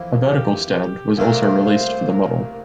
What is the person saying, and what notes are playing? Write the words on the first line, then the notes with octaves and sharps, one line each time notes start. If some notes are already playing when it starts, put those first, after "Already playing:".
A vertical stand was also released for the model.
Already playing: F2 E3 A#3
G4
G4
C2 A#2 A3 D4 F4 A#4
C5
A#4